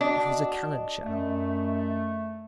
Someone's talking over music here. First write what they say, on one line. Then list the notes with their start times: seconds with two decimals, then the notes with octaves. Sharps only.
It was a cannon shell.
0.01 D4 F#4 D#5
1.04 F#2 A3